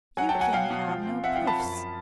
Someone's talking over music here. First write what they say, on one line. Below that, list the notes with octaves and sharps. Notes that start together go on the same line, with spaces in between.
You can have no proofs.
F#3 F#5 G#5
G5 A5
F#3
F#5 G#5
B2 F5 G5
B2
F3
C4
C4 E5 F#5
F5 G5
F3
A5 B5
F#2